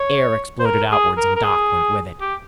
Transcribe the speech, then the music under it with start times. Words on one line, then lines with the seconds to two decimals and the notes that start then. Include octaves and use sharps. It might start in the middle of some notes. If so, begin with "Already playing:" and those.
Air exploded outwards, and Doc went with it.
Already playing: C#5
0.59 C5
0.65 A#4
0.91 G#4
1.17 A#4
1.36 A#4
1.44 G#4
2.21 G4